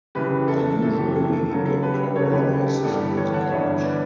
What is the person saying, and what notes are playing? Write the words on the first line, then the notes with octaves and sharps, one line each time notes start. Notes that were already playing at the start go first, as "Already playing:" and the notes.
I usually get paralyzed on the couch.
F#1 F#2 E3 G4 B4
A4
F#1 F#2 E3 A4
G4
A4
A4
C#2 C#3 F#3 A4
A4
G4 B4
C#2 C#3 F#3 A4 C#5
G4 B4
A4
G4
G1 G2 E3 B3 D4 A4
G4
A4 C#5
F#5 A5
G1 G2 E3 B3 D4 C#5 E5
B4 D5